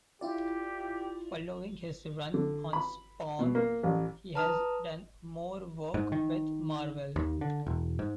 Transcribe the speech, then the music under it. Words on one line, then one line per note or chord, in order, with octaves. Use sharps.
Following his run on "Spawn" he has done more work with Marvel.
E4 F4 G4 D5
D3
B5
B2
A#3
A1
B4 A5 A#5 D#6 F6 F7
G#2
D#3
D#2
D3
E1
G#2